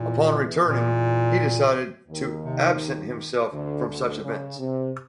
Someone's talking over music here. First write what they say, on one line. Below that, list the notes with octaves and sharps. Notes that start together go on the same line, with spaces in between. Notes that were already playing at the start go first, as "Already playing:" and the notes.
Upon returning, he decided to absent himself from such events.
Already playing: E2 A#2 E3
A#2
D#2 D#3
C3
D2 D3
D2 D3
C#3
C3